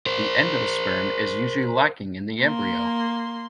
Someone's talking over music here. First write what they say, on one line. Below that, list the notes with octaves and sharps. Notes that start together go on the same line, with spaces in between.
The endosperm is usually lacking in the embryo.
A#4 C5
A#3 C6